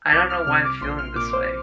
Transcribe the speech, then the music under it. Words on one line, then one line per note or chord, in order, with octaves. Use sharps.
"I don't know why I'm feeling this way,
C2 D6
F6
C3 F6
D6
A#1 C6
F6
A#2 D6
C5